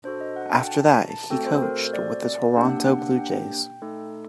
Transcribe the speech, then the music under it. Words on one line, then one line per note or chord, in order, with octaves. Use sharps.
After that he coached with the Toronto blue jays.
D4 F#4 A4 C5
D#5
F#5
G5
A5
A#5
A5
A3 C4 F#4 A4 G5
C5
A#4
C5
D5
D5
A#3 D4 G4 F#5
F#5
F#5
G5
A3 D#4 A4